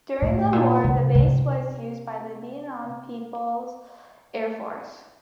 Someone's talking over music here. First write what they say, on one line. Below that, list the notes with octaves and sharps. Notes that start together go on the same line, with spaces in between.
During the war the base was used by the Vietnam People's Air Force.
A2
A#2
C3
C3